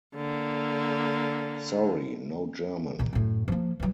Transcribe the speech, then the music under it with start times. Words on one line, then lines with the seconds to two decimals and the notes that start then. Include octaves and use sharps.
Sorry, No German!
0.15 D3 A#3
2.99 A#2 D#3
3.13 F#2 A2
3.48 F3 A#3
3.80 E3 F#3